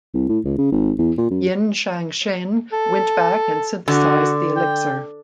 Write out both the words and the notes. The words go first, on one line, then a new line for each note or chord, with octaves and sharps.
Yin Changsheng went back and synthesized the elixir.
C2
A2
C#2
C#3
G#1
E2
A#2
F#2
A4
D3 F#4
G5